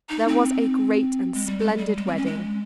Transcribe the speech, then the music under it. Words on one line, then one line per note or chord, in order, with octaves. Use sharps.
There was a great and splendid wedding.
D#4
C4
G#3
G3
G#3
G3
G#3
C4
C#4
G#3